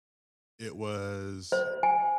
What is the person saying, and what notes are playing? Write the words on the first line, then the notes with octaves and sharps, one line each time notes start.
It was
C5
G#5